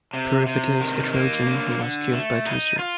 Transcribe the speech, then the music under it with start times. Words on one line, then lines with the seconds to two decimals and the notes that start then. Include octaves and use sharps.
Periphetes, a Trojan who was killed by Teucer.
0.13 C3
0.47 C3
0.80 D#3
1.13 A#3
1.46 D3
1.80 D3
2.13 A3
2.46 D#4
2.79 F4